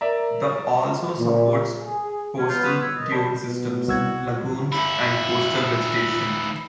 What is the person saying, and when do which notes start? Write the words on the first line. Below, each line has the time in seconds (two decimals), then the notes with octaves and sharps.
The also supports coastal dune systems, lagoons and coastal vegetation.
0.01 A#4 D5 E5 A#5
1.19 A#2
1.82 G#4
2.38 F#3 C#4
2.49 B3 F4 G6
2.63 B4 C6 D#6 F7
2.81 C#5 E6
2.97 D#3 D#5 A6
3.12 C5 D5 A5 B5
3.46 B2
3.88 C2 F#4 E6 G#6
4.73 D#2 E4